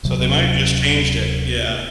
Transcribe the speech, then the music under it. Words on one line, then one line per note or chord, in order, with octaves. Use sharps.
so they might've just changed it. Yeah.
D1 C3 F#3